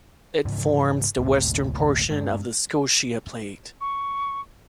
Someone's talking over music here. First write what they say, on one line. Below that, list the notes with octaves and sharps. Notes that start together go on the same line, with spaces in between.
It forms the western portion of the Scotia Plate.
G#2 C#3 E3 F3
G1 D2 A2 C3
G2 G#3 D4
C#6